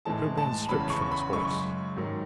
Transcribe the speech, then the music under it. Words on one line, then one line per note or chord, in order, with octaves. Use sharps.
Sherburne slipped from his horse.
A2 E3 G#3 A5
A5
E2 C#3 E3 B5
C#6
B5
F#2 C#3 G#3 C#6
G#2 D#3 F#3